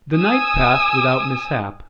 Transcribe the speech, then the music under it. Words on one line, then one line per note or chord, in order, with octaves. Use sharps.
The night passed without mishap.
G#5 D#6 E6